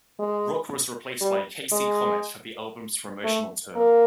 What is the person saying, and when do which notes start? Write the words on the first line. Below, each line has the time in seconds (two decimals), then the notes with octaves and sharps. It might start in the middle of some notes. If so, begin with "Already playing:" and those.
Rock was replaced by K. C. Comet for the album's promotional tour.
0.19 G#3
1.21 G3
1.72 G#3
3.24 A3
3.75 A#3